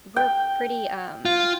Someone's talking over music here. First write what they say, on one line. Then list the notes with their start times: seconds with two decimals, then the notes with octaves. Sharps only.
we're pretty, um
0.16 G5
1.25 F4